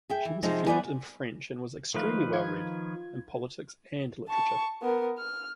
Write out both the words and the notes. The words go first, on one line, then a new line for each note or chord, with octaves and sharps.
She was fluent in French and was "extremely well read" in politics and literature.
G#4 E5 G5
E3
C3 F3 G#3 D#4 C5
G3 B3 C5 D5 E5 G#5
D#3 F3 A3 B4 F5
F4 G#6
A5 C#6
B3 A#4
F6